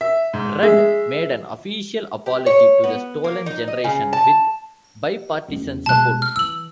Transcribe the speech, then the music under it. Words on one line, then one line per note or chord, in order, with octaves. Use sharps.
Rudd made an official apology to the "Stolen Generation" with bi-partisan support.
E5
G#2
G#3 E5
G4
C#5
B3
A#3
D#4
D#5
C#3
A5
F#1 E2
B2 G#3 A5 F#6
F6
E3 E6 F#7